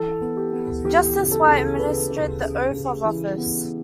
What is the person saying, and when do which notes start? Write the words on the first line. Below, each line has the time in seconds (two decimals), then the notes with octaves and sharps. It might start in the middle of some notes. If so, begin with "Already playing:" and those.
Justice White administered the oath of office.
Already playing: E3 A4
0.21 B3
0.37 G4
0.53 B3
0.84 E3 G4
1.16 C#3
1.32 A4
1.47 C#3
1.79 C#3 B4
2.10 C#3
2.42 C#3
2.73 C#3
3.05 E3
3.37 B3